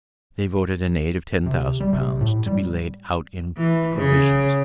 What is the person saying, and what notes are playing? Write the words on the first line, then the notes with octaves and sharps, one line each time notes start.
They voted an aid of ten thousand pounds, to be laid out in provisions.
C3
G3
C3
A2
G3
E3
C#3